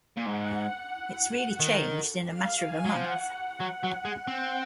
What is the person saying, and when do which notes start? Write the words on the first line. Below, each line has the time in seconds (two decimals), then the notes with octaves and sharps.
It's really changed in a matter of a month.
0.17 A#2
0.26 G#2 F#5
1.60 D#3
2.27 F5
2.61 G#5
2.86 F#3
2.93 F3 F#5
3.60 F#3
3.83 F#3
4.05 G#3
4.28 C4